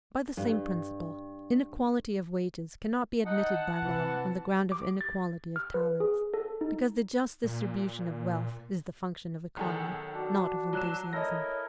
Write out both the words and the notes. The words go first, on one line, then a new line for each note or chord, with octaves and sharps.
By the same principle, inequality of wages cannot be admitted by law on the ground of inequality of talents; because the just distribution of wealth is the function of economy,--not of enthusiasm.
G2
D#4 F#5 A5
C3 E3
D6
A6
F6
B4
G#4
A4
D#4
A#2
B1 D#3 G#4 A4
D4 F#4
F#3 F#6 E7
E4 A4 A#4 C#5 D#5 A#6